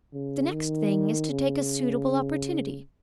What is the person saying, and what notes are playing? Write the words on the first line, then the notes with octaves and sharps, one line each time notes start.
The next thing is to take a suitable opportunity.
C#3
D#3
C#3